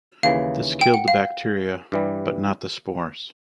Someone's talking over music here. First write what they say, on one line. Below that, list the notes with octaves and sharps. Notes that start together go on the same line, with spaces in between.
This killed the bacteria, but not the spores.
D#2 C#3 E3 F5
G5
F#5
F5
G2 E3 G3